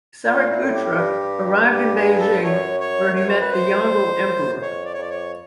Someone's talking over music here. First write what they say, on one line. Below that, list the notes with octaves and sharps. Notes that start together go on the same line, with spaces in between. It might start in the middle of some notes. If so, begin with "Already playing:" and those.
Sariputra arrived in Beijing where he met the Yongle Emperor.
A#2 F4
E4
A2
G4
G2
G4
G#4
A4
F#2 C#5
C#5
C#5
C5
B4
C5
F2
F#2
F2 C#5
D5
C#5
F2 D5
C#5